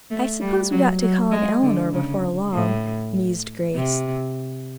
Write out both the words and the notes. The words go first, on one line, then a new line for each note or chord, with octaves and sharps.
"I suppose we ought to call on Eleanor before long," mused Grace.
A3
G3
F#3
F#3
G#3
D3
C#3
A2
C3